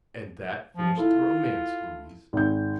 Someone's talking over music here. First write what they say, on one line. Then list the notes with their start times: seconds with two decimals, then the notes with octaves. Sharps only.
"And that finished the romance, Louise."
0.77 F3
0.97 E4 F4 A4
2.33 G#1 G6